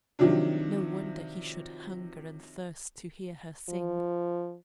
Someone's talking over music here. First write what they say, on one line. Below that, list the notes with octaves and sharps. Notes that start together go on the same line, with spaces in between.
No wonder he should hunger and thirst to hear her sing.
C3 D#3 F3 F#3 D4
F3